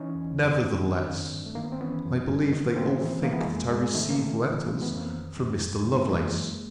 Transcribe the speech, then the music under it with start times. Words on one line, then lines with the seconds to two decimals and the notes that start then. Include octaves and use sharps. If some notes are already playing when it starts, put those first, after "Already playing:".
Nevertheless I believe they all think that I receive letters from Mr. Lovelace.
Already playing: E3 C#4 D#4
0.15 E2
0.39 F#2
0.62 D#3
0.86 G#2 C4 D4
1.10 D#3
1.33 G2
1.46 A3
1.55 D#3 A#3
1.64 B3
1.72 C4
1.81 E3 B3 C#4
2.05 F#2
2.29 G2
2.53 D#3
2.76 A2 A#3 C4
3.00 E3
3.23 E3 A#3
3.33 B3
3.41 G#3 A#3
3.46 F2
3.70 G#2 G#3
3.94 D#3 A3
4.11 A#3
4.18 A2 A3
4.42 E3
4.50 A3
4.65 E3 G#3 A#3
4.82 A3 B3
4.90 F2 C#4
4.97 A#3 C4
5.12 D#3
5.36 F2
5.60 F#2
5.84 D3
5.96 B3
6.08 E3 G#3 A#3
6.32 F#2